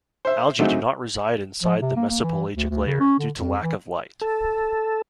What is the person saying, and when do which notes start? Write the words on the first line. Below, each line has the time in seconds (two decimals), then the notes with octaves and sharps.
Algae do not reside inside the mesopelagic layer, due to lack of light.
0.25 C5 E5
0.59 D3 F#3 G#3 A3 C4 D#4
1.63 F3
1.81 C3
1.96 A#3
2.10 A#3
2.23 E3
2.55 D2
2.70 D2
2.87 C#3
3.00 C#4
3.19 D3
3.37 F2
3.63 E3
4.22 A4